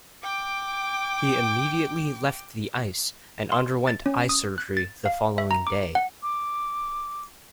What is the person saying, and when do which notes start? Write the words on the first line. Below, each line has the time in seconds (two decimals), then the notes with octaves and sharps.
He immediately left the ice and underwent eye surgery the following day.
0.22 G5 D6
3.52 C6
3.87 A6
4.06 C#4
4.29 D#6
4.58 F#6
4.77 A6
5.06 F5
5.38 E5
5.51 A#5
5.67 D6
5.95 F#5
6.23 D6